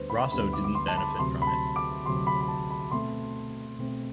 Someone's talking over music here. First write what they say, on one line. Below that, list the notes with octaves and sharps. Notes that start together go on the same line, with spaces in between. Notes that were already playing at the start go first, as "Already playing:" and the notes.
Rosso didn’t benefit from it.
Already playing: D2 D3 G3 B3 B4 C5
B5
D2 D3 G3 B3 B5
D6
D6
C6
A5
B5
D2 C3 F#3 C6
B5
A5
D6
D2 C3 F#3 C6
B5
B5
A5
B5
B2 A3 C4 C6
B2 A3 C4